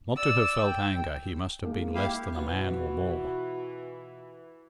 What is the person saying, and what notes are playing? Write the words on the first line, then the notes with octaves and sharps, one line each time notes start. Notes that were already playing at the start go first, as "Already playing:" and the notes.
Not to have felt anger, he must have been less than a man or more.
D5 E6
G5
G#3 A#3 D#4
E4 G4 F5
B2 E3 F4 F#4 G#5